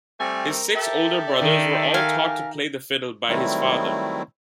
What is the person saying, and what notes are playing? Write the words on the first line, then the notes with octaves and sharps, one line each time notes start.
His six older brothers were all taught to play the fiddle by his father.
G3 A3 C4 G#5
A#4
G4 A4 E5
D5
D#3
A#4 F5 G#5
D#3 F#3 G3 A3 C4 E4